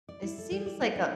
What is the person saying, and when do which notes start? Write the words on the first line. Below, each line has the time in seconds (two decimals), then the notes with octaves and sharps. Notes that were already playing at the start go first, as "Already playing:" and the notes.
It seems like a
0.09 D5
0.23 E4
0.38 A4
0.51 G3
0.66 D5
0.81 E4
0.96 D4